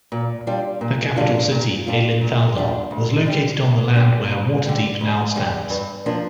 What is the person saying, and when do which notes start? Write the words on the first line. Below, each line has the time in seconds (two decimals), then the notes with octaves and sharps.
The capital city, Aelinthaldaar, was located on the land where Waterdeep now stands.
0.12 A#2
0.47 G3 D4 F4
0.81 A#2
1.16 G3 D4 F4
1.51 A#2
1.87 G3 D4 F4
2.21 A#2
2.56 G3 D4 F4
2.91 D2
3.26 D3 G3
3.62 D2
3.96 D3 G3
4.31 D2
4.66 D3 G3
5.01 D2
5.36 D3 G3
5.70 G2
6.06 F3 A#3 D4